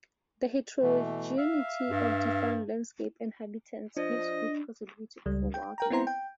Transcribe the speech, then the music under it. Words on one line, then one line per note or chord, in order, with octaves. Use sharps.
The heterogeneity of different landscapes and habitats gives good possibilities for wildlife.
B2 E3 A3
E5 F5
G2
F3 D4 D#5
C#2 G3
G5
A#4 G5 A#5
B3 C4 E4 C5 A#5
G5